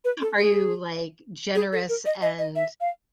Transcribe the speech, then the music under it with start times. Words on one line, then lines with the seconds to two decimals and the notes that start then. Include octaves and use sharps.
Are you, like, generous and
0.05 B4
0.22 A4
0.38 G#4
1.55 G#4
1.72 A4
1.89 A#4
2.06 D#5
2.22 D#5
2.39 D#5
2.56 E5
2.81 F5